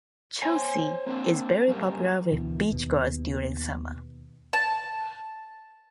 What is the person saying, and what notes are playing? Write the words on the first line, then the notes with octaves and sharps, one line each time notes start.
Chelsea is very popular with beachgoers during summer.
C5 C#5 G#5
A#3 C4 D4 C5
F#2 G3 A3 A#3
D2 B2 E3
D#2 B2
A5